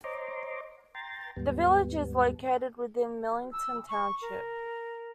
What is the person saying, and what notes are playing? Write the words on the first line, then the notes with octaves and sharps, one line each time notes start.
The village is located within Millington Township.
C5 C#5 D#5 A#5 C6 D6
G5 A#5 C6 A6
D#2 G#2 G3 B3
E6
C#6
A#4